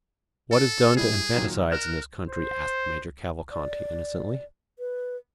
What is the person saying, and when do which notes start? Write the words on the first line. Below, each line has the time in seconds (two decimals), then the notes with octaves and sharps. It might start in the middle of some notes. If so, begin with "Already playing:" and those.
"What is done to infanticides in this country?" asked Major Cavalcanti innocently.
0.51 A4
0.97 G3 E4 G#4
1.35 A#2 D#3 F#3
1.72 A#4 F6 F#6 E7
2.29 C5
3.51 D5
4.79 B4